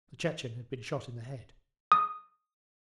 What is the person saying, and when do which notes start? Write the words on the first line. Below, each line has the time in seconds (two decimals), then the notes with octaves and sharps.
The Chechen had been shot in the head.
1.92 D#6